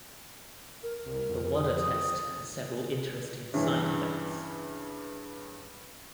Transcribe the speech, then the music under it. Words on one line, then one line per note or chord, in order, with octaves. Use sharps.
The Wada test has several interesting side-effects.
A#4
C2
F2
D#6
G2 C#3 E3